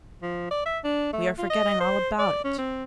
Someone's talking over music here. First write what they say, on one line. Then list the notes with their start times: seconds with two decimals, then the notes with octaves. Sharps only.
We are forgetting all about it.'
0.22 F3
0.51 D5
0.66 E5
0.84 D4
1.13 A3
1.38 F4
1.50 D#5
1.81 C5
2.19 D5
2.44 C#4
2.58 C4